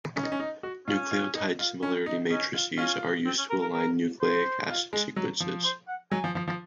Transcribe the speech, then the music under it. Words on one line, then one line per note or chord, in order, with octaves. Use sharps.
Nucleotide similarity matrices are used to align nucleic acid sequences.
C#4
D#4
C#4
D#4
F#4
C#4 F4
F4
D#4
F4
C#4
D#4
C#4 D#4
F4
C#4 F4
C4
C#4
A#4
A#4
A#4
C5
F4
G#3
F#3
F3
C5
F#5
F#3 G#5
F3
F3
F3